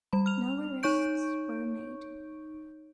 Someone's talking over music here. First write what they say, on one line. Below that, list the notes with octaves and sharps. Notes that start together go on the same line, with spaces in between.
No arrests were made.
G3 B5
F6 F7
D#4 C#5 C#6 G6 D7